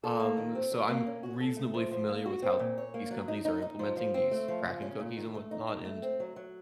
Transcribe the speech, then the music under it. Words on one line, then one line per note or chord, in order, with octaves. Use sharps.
Um, so I'm reasonably familiar with how these companies are implementing these tracking cookies and whatnot, and
A4
A#3
D#3
C4
F#3
A#3
C#4
F#4
A4
A3
F3
F3
A#3
F#4
C4
A#2
C#5
A#3
F#3
D#4
D#4
D#4
F3
F3
C4
A3
F3
C#3
C#4
A#2
D#3
A3
D#4
D#4
A3
C4
F#3
F#3